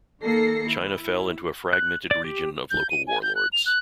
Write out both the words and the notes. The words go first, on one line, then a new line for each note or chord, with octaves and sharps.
China fell into a fragmented region of local warlords.
D#3 A#3 A4 A#6 C7 C#7
E4
F#6
D5
G4
G6
D#7
G#5
G6
F#6
F7
F#6